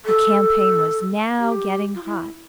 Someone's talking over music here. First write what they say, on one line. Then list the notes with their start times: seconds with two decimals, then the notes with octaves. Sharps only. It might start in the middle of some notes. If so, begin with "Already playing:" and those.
The campaign was now getting hot.
0.06 A4
1.39 G4
1.95 F4
2.04 E4